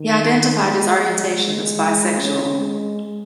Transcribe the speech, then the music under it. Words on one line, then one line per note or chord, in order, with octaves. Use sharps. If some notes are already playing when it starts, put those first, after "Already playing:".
He identified his orientation as bisexual.
Already playing: D#3
G#3
G#3
G#3
C#4
G#3